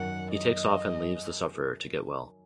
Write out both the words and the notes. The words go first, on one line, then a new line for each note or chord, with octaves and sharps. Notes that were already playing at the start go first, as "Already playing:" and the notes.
He takes off and leaves the sufferer to get well.
Already playing: F#2 D#3 F#3 F#5
D#5